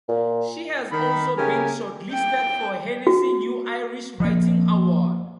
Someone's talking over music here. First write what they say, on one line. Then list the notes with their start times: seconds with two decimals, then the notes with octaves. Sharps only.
She has also been shortlisted for Hennessy New Irish Writing Award.
0.09 A#2
0.92 D#3 B5
1.37 C#3 A3 G4 A#4 G#5
2.13 G5
3.07 F#4
4.20 F3 A#3